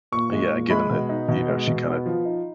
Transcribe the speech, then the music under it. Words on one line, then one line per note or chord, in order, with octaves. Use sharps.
Yeah, given that, you know, she kind of
A#2 C#6
G#3
A#2
G#3 B5
B2
D#4
B2
G#3
B2
B3
F3
D#4